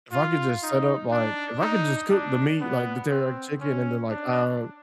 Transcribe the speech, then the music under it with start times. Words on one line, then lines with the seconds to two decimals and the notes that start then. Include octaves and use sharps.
if I could, just, set up, like if I could, just, cook the meat, like, the teriyaki chicken and then, like, uh,
0.12 F4
0.63 D#4
1.11 D4
1.61 D#4
2.11 D4
2.61 B3
3.11 C4
3.60 C#4
4.10 D4